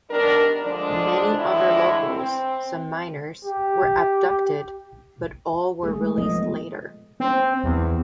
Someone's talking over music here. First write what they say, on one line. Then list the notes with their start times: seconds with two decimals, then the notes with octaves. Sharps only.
Many other locals, some minors, were abducted, but all were released later.
0.10 D#3 G3 B3 D4 A#4
0.63 D3 F3 G#3 A3 D4
1.36 A2 D3 E3 G#3 E4
2.07 C4
3.45 G4
5.83 G#3 A3 G#4
6.18 F3 B3 D#5
7.20 C4
7.64 E2